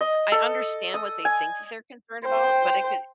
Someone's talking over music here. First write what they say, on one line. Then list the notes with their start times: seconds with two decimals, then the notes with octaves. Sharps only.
I understand what they think that they're concerned about, but it could
0.01 D#5
0.32 A4
0.94 D#6
1.25 G#5
2.26 C5 G5